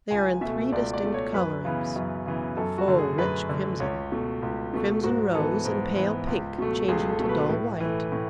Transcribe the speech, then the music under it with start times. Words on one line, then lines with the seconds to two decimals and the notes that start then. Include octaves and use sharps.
They are in three distinct colourings--full rich crimson, crimson-rose, and pale pink changing to dull white.
0.11 C#2 G#5
0.41 B2 A3 E5
0.72 C#2 D5
0.94 D5
1.04 B2 A3
1.14 C#5
1.33 F#2 B4
1.65 C#3 E3 B3
1.96 F#2
2.26 C#3 E3 B3
2.57 F#2 A4
2.78 F#4
2.88 D3 A3
2.99 G#4
3.18 F#2 B4
3.49 D3 A3
3.80 C#2 C#5
4.12 B2 A3
4.42 C#2
4.73 B2 A3
5.04 G#2 F#4
5.34 E3 B3 A4
5.65 G#2
5.96 E3 B3
6.27 C#2
6.58 B2 F#3 A3
6.88 C#2 G#4
7.09 A4
7.19 B2 F#3 A3
7.29 B4
7.50 A2
7.80 E3 A3
8.12 A2